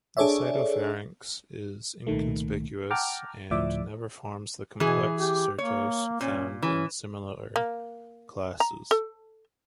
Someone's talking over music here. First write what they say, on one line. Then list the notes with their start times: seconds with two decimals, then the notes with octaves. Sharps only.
The cytopharynx is inconspicuous and never forms the complex cyrtos found in similar classes.
0.17 D4 G#4 A4 C#5 D5 E5
2.07 C2 A#2 D#3 A3
2.90 F#5 G5 A5 A#5 D6 F6
3.51 D2 A2 F3 D5 E5 D6
4.80 B2 E3 G#4
5.17 G4
5.58 A#3 C#5
6.21 A#2 C#4
6.63 E3 C#4
7.56 A#3
8.60 A#5
8.91 A4